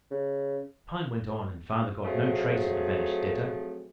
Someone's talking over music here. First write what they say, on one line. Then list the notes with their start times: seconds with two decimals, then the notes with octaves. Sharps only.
Time went on and father got no trace of the vanished debtor.
0.11 C#3
2.04 F3 F#3 A3 C4 G#4